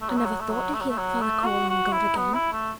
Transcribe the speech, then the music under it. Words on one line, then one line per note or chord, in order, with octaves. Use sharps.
'I never thought to hear father call on God again.
A3
F#3
A3
F#3
A3
F#3
A3
F#3
A3
F#3
A3
F#4
F#4
E4
B3
E4
A3